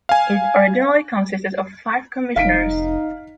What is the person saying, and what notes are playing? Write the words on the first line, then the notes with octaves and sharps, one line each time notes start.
It originally consisted of five commissioners.
F5 G#5
F1 D#4 F5 B6 D7